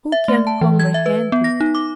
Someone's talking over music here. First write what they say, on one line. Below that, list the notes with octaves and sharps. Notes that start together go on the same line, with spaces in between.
Who can comprehend it?
E5
A3
A5
E3
G#6
E5
B4
B3
A#6
D#4
D6